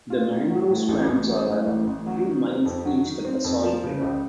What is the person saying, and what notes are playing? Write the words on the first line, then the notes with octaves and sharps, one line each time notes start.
The mangrove swamps are a few miles east at the Salt River.
F4
A2
F#3
A2
A1
A1
F#3
A2
A1
A1
F#3
D#3
C4
F2
F#3
D#3
C4
F2
F3
C#3
C#2